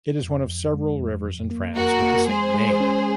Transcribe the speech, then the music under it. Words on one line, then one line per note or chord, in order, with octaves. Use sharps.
It is one of several rivers in France with the same name.
F2
F2
G#3
F2
F#2
A#3
A#3 F#4 A#4
A#3
G#3 G#4 C5
G#3
C#4